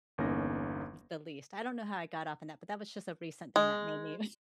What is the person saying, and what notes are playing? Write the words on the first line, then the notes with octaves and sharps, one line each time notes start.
the least. I don't know how I got off on that, but that was just a recent thing that made me
G1 E2 A#3 C#4 D#4 A#6
G#3